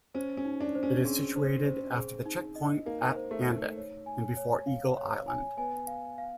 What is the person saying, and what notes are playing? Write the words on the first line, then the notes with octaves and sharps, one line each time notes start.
It is situated after the checkpoint at Anvik and before Eagle Island.
C#4 C5
C#4
D#4
D4
C5
C#4
C4 G#4
C5
C5
G#4
D#4
D#5
A#3 D#4
C5
A3
D#4
C#5
G#5
C#5
F5
C#5
G#5
B3 G#5
F5
F5